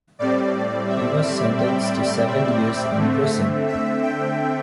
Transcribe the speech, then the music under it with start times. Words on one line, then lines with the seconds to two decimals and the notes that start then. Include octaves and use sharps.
He was sentenced to seven years in prison.
0.19 A2 G3 C4 D5
0.89 E5
1.58 G5
2.27 E5
2.97 D3 A3 C4
3.68 E5
4.02 G5